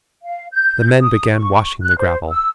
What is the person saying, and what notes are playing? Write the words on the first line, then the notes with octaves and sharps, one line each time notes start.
The men began washing the gravel.
F5
G6
D#6
C#6
F#6
C5
E6